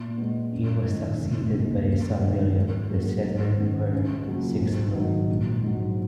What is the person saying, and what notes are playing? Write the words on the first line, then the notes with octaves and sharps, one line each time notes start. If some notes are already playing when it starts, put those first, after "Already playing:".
He was succeeded by his son William, the second or sixth Lord.
Already playing: A#2
G#3 B3
F#2
D#3 G#3
F1
D#2 C#3 G#3
F#2
D#3 G#3 B3
G#2
F#3 A#3 C#4 G#4
G#1
F#2 D#3 G#3 B3
C#2
C#3 F#3 A#3 F4
G#1
G#2 D#3 F#3
A#1
G#2 F#3